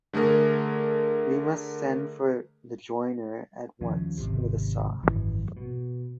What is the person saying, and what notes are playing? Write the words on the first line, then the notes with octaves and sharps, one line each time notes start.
We must send for the joiner at once, with a saw.
D3 A3 G#4 A#4
D#2 C#3 F3
G#1 C#2 C3
G#1 F#2 E3
B2